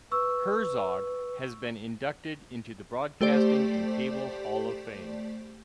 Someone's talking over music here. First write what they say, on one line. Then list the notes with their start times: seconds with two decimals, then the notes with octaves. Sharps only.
Herzog has been inducted into the Broadcasting and Cable Hall of Fame.
0.12 B4 C#6 E6
3.21 A3 G4 C5 D5